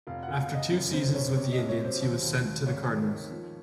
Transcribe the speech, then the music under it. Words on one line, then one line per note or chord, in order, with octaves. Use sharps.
After two seasons with the Indians he was sent to the Cardinals.
F1 F5
F#5
F1
F5
F1
D#5
F#2
C#3 C5
F#2 C#5
C3 C#5
D#5
C2
C#5
F#3 C5
D#2
D#2
D#2
G#1 C#5
D#3
D#3
F3